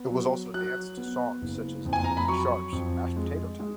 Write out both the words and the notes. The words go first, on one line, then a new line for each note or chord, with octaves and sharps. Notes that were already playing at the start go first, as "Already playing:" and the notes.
It was also danced to songs such as Dee Dee Sharp's "Mashed Potato Time".
Already playing: B3
F#3
F#3 F#6
B3
F#1
F2
G#5
A#5
B5
F#3 C#6
F2
G#3
G#3